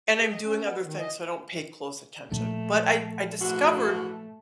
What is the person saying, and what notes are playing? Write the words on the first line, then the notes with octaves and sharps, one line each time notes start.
and I'm doing other things, so I don't pay close attention, but I I discovered
G#4
D#5
C#4
B3
D#3
D#5
A#2 F3 A3
G#2 E3 A3 F#4